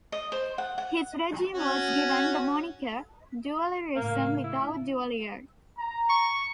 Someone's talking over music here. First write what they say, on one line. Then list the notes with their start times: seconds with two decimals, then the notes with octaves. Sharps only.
His regime was given the moniker "duvalierism without Duvalier".
0.12 D#5
0.32 C5
0.58 F#5
0.78 F#5
1.54 C#4 F#4
3.96 A2 C#3 A#3
4.44 E4
5.78 A#5
6.10 C#6